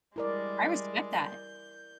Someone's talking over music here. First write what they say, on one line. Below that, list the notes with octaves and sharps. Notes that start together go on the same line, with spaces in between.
I respect that.
G3 G#3 E4 A#4 D5
G6